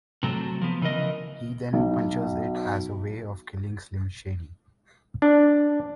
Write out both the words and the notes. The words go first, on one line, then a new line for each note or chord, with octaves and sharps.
He then punches it as a way of "killing" Slim Shady.
C3 F#3 A3
F3 B3
C#3 E3 A4 A#4 D#5
B1
D4